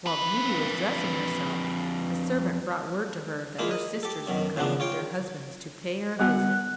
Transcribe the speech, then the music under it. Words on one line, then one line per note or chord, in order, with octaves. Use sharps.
While Beauty was dressing herself, a servant brought word to her that her sisters were come with their husbands to pay her a visit.
F2 B4
G#3 A#3 E4 F4
D#5
G4 A4
F#2 B2 D#3
A2 C#3 F3 B3 D4
F4 C#5 G5
G3 B3 F#4 F#5